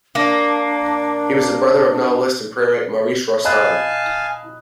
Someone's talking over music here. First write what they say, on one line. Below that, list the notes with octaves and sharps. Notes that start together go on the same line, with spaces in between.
He was the brother of novelist and playwright Maurice Rostand.
A#3 D4
D#5 F5 G#5 A5 B5 F#6